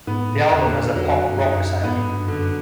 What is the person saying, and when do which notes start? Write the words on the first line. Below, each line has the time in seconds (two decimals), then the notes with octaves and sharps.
The album has a pop rock sound.
0.07 G#2 B3
0.30 A2
0.52 E2 D3
0.96 F2 F#3
1.04 E2
1.12 F2
1.32 G2
1.39 F#2 D#4
1.84 G#2 B3
1.96 G#2
2.05 G2
2.28 F#2 D3